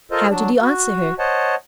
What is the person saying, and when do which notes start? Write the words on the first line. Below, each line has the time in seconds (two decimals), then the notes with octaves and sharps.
How did he answer her?
0.11 F4 A4 A#4 C5 D#5
0.31 F#3 D4
0.62 F#4
1.19 C5 C#5 D#5 F#5 A5